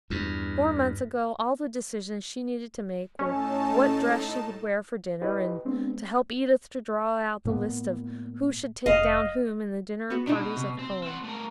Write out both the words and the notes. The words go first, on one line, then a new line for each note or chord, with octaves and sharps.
Four months ago, all the decisions she needed to make were what dress she would wear for dinner, and to help Edith to draw out the lists of who should take down whom in the dinner parties at home.
E2 G2
A2 C#4 D#4 A4 A5
E4 G4 B4 D#5
G#3 B3 C4 D4
A2 A#3 B3
F1 D#5 F5
B3 F#4
B2 D4 D#4
C3
C4
C4 F#5
A3 A#4